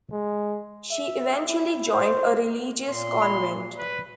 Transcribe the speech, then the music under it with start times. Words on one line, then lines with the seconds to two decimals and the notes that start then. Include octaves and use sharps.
She eventually joined a religious convent.
0.12 G#3
0.91 E5
1.49 E4
1.92 C5
2.89 A#2 C6
3.22 B5
3.78 B4